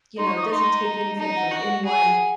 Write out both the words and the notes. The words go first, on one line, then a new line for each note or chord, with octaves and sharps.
you know, doesn't take anything from anyone,
D#4 C6
C#6
D#6
C#6
D#4 C6
A#5
A#5
D#4 A#5
F#5
F#4 F#5
G#4 F#5